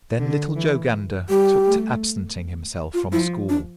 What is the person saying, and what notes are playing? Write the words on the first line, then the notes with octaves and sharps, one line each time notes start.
Then little Joe Gander took to absenting himself from school.
D3
E3
G3 G4
A3
F4
F3 E4
D4